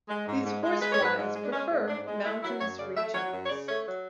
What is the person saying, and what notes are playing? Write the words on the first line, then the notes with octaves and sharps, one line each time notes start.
These horse flies prefer mountainous regions.
G#3
G#2
G#2
G#3
G#3 B4
C#5
G#2 B4
G#2
G#3
D4
G#3 C#4
G#2
G#2 D4
G#3
A3 E4
F#3 E4
F#2 C#5
C#3 D5
A3 E5
F#3 C#5
F#2
C#5
C#3 D5
A3 C#5
F#3